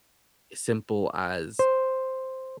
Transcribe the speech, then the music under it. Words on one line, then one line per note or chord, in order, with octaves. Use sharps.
simple as
C5